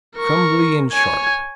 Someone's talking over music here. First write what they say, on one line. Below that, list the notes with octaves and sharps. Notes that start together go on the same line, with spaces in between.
Crumbly and sharp.
A#4 C#6
C#5 G#5